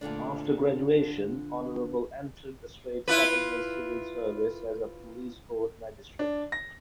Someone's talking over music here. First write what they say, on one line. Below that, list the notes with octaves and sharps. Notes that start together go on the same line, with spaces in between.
After graduation, Honorable entered the Straits Settlements Civil Service as a Police Court Magistrate.
D2 A#2 D3 D4
E4 F4 B4
D4
A#6